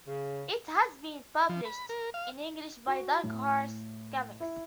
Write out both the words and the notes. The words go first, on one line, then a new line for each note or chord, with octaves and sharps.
It has been published in English by Dark Horse Comics.
C#3
F3
B5
A#4
F5
F#4
A2
E4